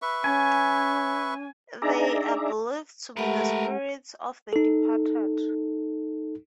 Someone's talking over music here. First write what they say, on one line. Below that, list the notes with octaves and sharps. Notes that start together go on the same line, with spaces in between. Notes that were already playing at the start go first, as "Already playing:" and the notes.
They are believed to be the spirits of the departed.
B4 E5 C#6
C#4 G#5
D4 D#4 G#4 D5 E5 A#5
G#3 A3 G4 A#4 B4 F#5
D#4 A4